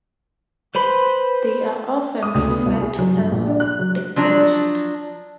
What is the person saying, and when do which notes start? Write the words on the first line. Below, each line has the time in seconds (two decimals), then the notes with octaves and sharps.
They are often referred to as "the Ghosts".
0.75 B4 C5 B5 C6
2.23 D#6
2.35 D2
2.48 B3
2.66 C2
2.81 G#4
2.98 F#3
3.14 G2
3.32 A#1
3.47 D4
3.60 F#6
3.79 F#3
4.16 F3 F#3 D4